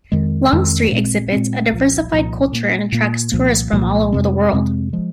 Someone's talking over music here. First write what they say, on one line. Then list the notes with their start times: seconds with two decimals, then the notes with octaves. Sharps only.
Long Street exhibits a diversified culture and attracts tourists from all over the world.
0.12 F2 D#3 G#3
0.53 F2 D#3 G#3
0.92 A#2 G#3 C4
1.32 A#2 G#3 C4
1.72 C2 A#2 F3
2.12 C2 A#2 F3
2.52 A#2 A#3
2.92 A#2 A#3
3.32 C2 A#2 F3 A#3
3.73 C2 A#2 F3 A#3
4.12 F2 C3 G#3 C4
4.53 F2 C3 G#3 C4
4.93 F3 G#3